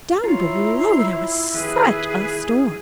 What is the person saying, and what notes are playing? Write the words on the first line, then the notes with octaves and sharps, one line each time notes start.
Down below there was such a storm!
E4 F4 C#5 A#5 C6
D#2 G#4 B4